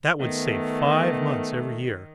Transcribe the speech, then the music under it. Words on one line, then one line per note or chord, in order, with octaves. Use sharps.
That would save five months every year.
D#3 A3 B3